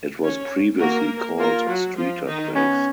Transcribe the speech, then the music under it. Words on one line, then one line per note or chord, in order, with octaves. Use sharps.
It was previously called Streeter Place.
C#4 C#5
A#3 F#4 A#4
A#3 F4 A#4
F#3 F#4
F3 F4
D#3 D#4
B3 C#4